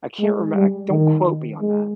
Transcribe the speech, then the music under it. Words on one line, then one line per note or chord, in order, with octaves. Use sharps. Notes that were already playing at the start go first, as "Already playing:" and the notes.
I can't reme don't quote me on that.
G#3
G3
D#3
G#3